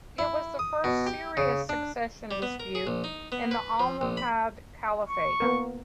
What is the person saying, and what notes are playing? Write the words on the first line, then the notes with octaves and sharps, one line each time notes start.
It was the first serious succession dispute in the Almohad Caliphate.
E4
D#6
B2
G4
C#3
D4
G3
B3
A#4
G#4
A#1
D#4
B3
B4
F3
A#1
B5
C#6
A#3 B3 A#4